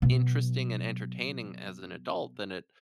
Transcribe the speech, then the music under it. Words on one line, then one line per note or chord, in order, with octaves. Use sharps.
interesting and entertaining as an adult than it
B2 F#3